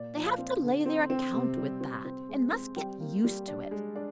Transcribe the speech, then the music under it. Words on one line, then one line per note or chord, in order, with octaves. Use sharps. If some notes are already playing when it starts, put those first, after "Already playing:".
They have to lay their account with that, and must get used to it.
Already playing: A#2 D5
F3
F5
C4
D3
C4
C4
C3
G3
C4
C4
G#3
C4
G3 G5
A#3
G3
D4
G#3
D4